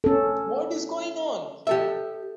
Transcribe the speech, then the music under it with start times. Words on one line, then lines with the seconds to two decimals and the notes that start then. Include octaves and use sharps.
What is going on?
0.04 C#4 A4
1.67 G4 A4 E5